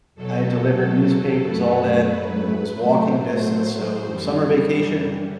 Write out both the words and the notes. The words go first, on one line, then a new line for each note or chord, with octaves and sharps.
I delivered newspapers, all that, and it was walking distance, so summer vacation,
E2 B2 F#3 A4
F#2 F#3 A3 B4
A2 F#3 A3 C5
F#2 E3 G3